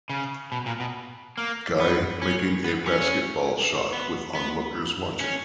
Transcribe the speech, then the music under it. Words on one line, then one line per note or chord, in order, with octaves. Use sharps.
Guy making a basketball shot with onlookers watching.
C#3
B2
A#2
B2
A#3
B3
C#4
B3
C#4
B3
B3
C#4